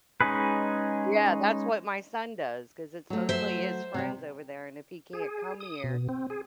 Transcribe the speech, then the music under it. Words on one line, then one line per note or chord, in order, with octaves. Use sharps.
Yeah, that's what my son does, ‘cause it's mostly his friends over there and if he can't come here,
G#3 C#4 D#4 G#4 B4
F#3 A3
C5 E5
C3 G3
G#4
D#6
B2
C4
G#4